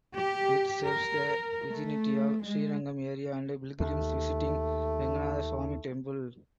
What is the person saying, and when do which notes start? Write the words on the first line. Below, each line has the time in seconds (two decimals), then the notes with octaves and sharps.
It serves the vicinity of Srirangam Area and pilgrims visiting Ranganathaswamy Temple.
0.14 G4
0.85 A#4
1.72 A3
2.45 G#3
3.80 D#2 A3